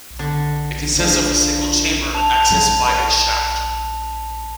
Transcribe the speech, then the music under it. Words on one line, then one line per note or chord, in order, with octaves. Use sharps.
It consists of a single chamber accessed by a shaft.
D3
D3 D4 F4 G#4
A5 F7